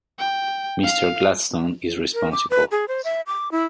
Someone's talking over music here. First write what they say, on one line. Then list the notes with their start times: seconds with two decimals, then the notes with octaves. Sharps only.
Mr Gladstone is responsible.
0.19 G5
0.83 F5
2.14 A#4
2.32 D6
2.50 B4
2.72 G#4
2.88 C5
3.04 E5
3.27 D6
3.52 E4